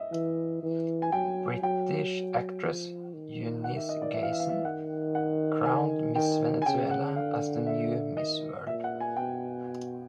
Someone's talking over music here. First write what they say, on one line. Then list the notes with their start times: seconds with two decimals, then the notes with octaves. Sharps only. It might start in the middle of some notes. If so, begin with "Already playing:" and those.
British actress Eunice Gayson crowned Miss Venezuela as the new Miss World.
Already playing: D#5 E5
0.12 E3 E5
0.63 E3
1.02 G#5
1.12 F#3 G5
1.63 F#3 G5
2.64 F3
3.14 D#3
3.64 F#5
3.77 E5
3.89 D#5
4.02 D5
4.14 E3 E5
4.23 F5
4.32 E5
4.40 F5
4.49 E5
4.65 D#3 F#5
5.15 F#5
5.65 G#5
6.15 D#3 G5
6.62 G#5
6.66 C#3 G5
6.91 F#5
7.16 D3 F5
7.66 E5
8.17 D#3 D#5
8.67 A#2 E5
8.84 F#5
9.00 G#5
9.17 B2 G5